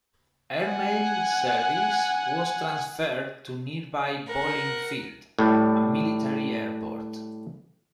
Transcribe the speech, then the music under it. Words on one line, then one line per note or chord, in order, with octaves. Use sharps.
Airmail service was transferred to nearby Bolling Field, a military airport.
F#5 G#5
A#4 F#5
A2 G3